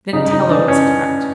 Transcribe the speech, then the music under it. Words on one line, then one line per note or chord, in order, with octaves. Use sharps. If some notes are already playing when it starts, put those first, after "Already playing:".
Then Tela was attacked.
C#3 D#4
D#4
E3 D4
C#4